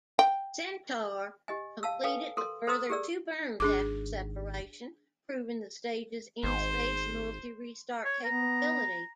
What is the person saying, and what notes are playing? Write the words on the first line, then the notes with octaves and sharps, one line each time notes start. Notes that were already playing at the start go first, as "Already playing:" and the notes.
Centaur completed a further two burns after separation, proving the stage's in-space multi-restart capability.
G5
G4 D#5 G#5
F5 A5 E6
A4 B4 F5 G5 G#5
A4 A#4 C6
A4 C5 A#5 C6 D#6 E6
G4 G#4 A#4 D5 E6
G#1 D4 G#4 D6
G#1 C5
C#5
B3 A#5